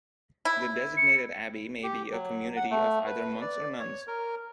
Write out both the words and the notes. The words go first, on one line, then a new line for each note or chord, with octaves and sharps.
The designated abbey may be a community of either monks or nuns.
E4
C#7
G4
F#3
F#5
A3
B4
D5
C#5
A#4